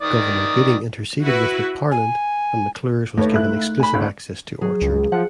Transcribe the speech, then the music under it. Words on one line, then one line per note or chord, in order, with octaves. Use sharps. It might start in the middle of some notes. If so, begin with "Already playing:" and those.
Governor Gooding interceded with McParland, and McClure's was given exclusive access to Orchard.
D#3 D5 D#6
E4 F#4 B4
G#5
D#2 A3 D#4 B4 C#5
C#2 E4 F#6
G#5 B5
G#1 C#2 D3
F#3 G#4
C#2
F3 F#5